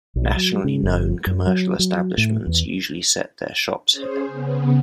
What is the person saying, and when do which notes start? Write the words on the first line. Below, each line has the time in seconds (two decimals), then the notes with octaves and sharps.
Nationally known commercial establishments usually set their shops here.
0.16 B1
0.37 F#3
0.64 C#3
0.83 G1
1.27 F#2
1.47 F#3
1.79 F#3
2.18 A2
2.47 E2
3.92 C#4 G#4 C5
4.25 C#3 B3